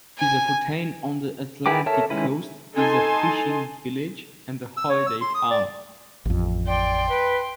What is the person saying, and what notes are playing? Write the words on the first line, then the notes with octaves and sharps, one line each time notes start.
Yzerfontein on the Atlantic coast is a fishing village and holiday town.
G#5
E4 G#4 B4 G5 D6
A4 A#4 C#5 E5 A5
D#3 G#3 C#4 E4 B4
D#4 A4 G#5 A5 C6
E6
C#5
E6
C6
D#6
D5
A1 F2
D5 G5 C6
B4